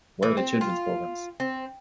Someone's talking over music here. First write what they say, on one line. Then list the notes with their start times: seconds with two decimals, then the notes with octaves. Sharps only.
Where are the children’s programs?
0.23 E3
0.37 C4
0.61 F4
1.40 C4